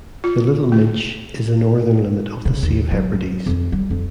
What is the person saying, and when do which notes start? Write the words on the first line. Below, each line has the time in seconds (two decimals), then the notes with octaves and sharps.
The Little Minch is the northern limit of the Sea of the Hebrides.
0.24 F4
0.72 A3
2.45 C#3
2.63 D#2
2.91 F#3
3.46 F2
3.72 G3
3.90 F2